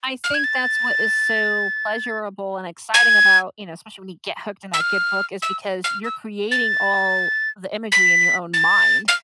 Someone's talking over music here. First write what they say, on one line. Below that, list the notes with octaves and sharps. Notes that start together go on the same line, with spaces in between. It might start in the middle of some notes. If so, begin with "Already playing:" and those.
I think that's what is so pleasurable and exciting about, you know, especially when you get hooked in that good book is because you're creating all the imagery in your own mind,
F6
G#6
A6
G#6
E6
F6
E6
F6
E6
A6
B6
A6
F6